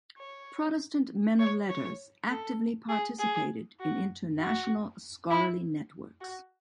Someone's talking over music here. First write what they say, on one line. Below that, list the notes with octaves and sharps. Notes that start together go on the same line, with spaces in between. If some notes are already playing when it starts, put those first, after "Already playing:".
Protestant men of letters actively participated in international scholarly networks.
C#5
C#5
C#5
A4
G#4
G#4
F#4
F#4
E4
F#4